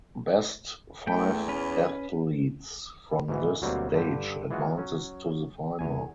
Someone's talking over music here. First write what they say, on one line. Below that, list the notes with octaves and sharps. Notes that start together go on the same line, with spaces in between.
Best five athletes from this stage advances to the final.
E2 A3 G5
C#4 B4
G#2 B2 E3
D2 B2 F#3 G3 A#3 C4
G2 D3 G4
E3 G#3 F4 F#4
F#3 C#4
E2 G#5